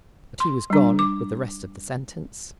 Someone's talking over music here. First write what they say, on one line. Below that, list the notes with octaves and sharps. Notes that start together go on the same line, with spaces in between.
But he was gone with the rest of the sentence.
C6
G3 D4
D6